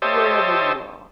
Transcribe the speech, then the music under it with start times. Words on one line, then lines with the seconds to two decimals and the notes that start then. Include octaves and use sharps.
Wherever you are!
0.02 G4 C5 C#5 D#5 E5 A5